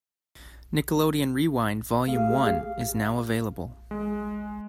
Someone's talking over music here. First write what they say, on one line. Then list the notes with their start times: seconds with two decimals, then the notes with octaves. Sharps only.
Nickelodeon Rewind Volume One is now available.
2.08 A3 G4 G#4 F5
3.91 G#3